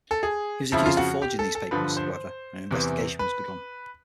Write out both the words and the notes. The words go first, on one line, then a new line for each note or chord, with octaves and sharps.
He was accused of forging these papers, however, and an investigation was begun.
A4
G#4
F2 C#3 F3 E4
F4
F#4
G4
A4
A4
G2 D3 F3 B4
C5
E2 C3 E3
B4